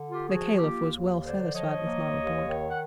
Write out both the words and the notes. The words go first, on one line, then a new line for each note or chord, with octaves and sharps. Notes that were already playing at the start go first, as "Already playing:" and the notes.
The Caliph was well satisfied with my report.
Already playing: D3
F4 G4
F3 F#4 G#4
A#3 F4 G4
D#2
D3 C5 D5
F3 C#5 D#5
A#3
D#2
D#3
F#5